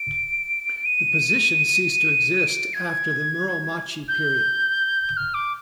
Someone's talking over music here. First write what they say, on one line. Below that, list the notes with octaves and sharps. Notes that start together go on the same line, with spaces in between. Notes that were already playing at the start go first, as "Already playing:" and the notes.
The position ceased to exist after the Muromachi period.
Already playing: D7
D#7
D#7
D7
G#6
G6
F6
D6